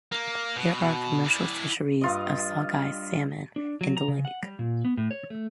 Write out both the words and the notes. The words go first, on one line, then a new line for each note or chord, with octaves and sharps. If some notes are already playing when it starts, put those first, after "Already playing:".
There are commercial fisheries of sockeye salmon in the lake.
A#3
B2
E4 D5
G2 F4 D#5
D4
F#3
A#5
C#3
F#5
G3
A#2
B3
A2
C#5
A3